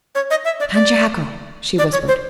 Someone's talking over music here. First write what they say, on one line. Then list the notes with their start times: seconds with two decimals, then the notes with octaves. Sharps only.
"John Jago!" she whispered.
0.15 C#5
0.31 D#5
0.45 E5
0.60 D5
0.74 D5
1.78 D5
1.93 C#5
2.07 C5